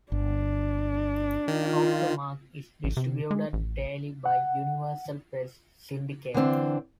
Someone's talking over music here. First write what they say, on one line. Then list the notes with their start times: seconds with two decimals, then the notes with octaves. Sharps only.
"Off The Mark" is distributed daily by Universal Press Syndicate.
0.12 G1 D4
1.48 D#3 F4
2.84 A1
2.97 C3
3.31 G#3
3.53 A1
4.26 F#5
6.34 D3 E3 C4 D4